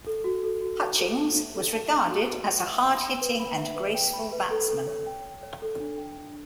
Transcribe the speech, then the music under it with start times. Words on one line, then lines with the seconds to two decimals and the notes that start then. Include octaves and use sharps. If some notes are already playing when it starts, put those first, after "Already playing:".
Hutchings was regarded as a hard hitting and graceful batsman.
0.07 A4
0.24 F#4
0.43 A4
0.61 F#4
0.80 A5
0.98 A4
1.17 A5
1.36 E5
1.54 A4
1.73 A5
1.91 E5
2.10 F#4
2.29 B5
2.47 B4
2.65 E5
2.84 G5
3.02 B5
3.21 B4
3.40 B5
3.58 E5
3.76 B4
3.95 G5
4.13 B5
4.32 B4
4.50 A4
4.68 A4
4.87 C#5
5.06 G5
5.25 G5
5.43 C#5
5.62 A4
5.80 D4
5.98 G5
6.17 D4